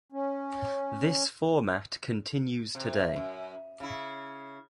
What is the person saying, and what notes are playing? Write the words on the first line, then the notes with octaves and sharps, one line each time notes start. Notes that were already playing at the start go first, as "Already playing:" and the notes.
This format continues today.
C#4
C3
F#2
C#3 E4